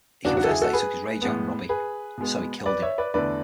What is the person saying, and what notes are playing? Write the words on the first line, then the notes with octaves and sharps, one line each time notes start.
He confessed that he took his rage out on Robie, so he killed him.
E2 C#3 F#3 B3 D4 F#4
D4 F#4
A4
E4 G#4
F#4 A4
G#4 B4
A2 G#3 B3
G#4 B4
B2 G#3 B3
B4 D5
C#5 E5
B4 D5
E2 D3 A3 B4 D5